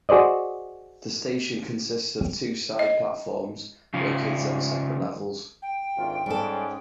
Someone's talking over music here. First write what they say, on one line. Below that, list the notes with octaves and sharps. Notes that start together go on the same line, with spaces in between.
The station consists of two side platforms located on separate levels.
F#4 G#4 C5 D5 D#5
D#5
C#3 F3
G5
G#1 D2 F4
G#2 G3 C#4 A4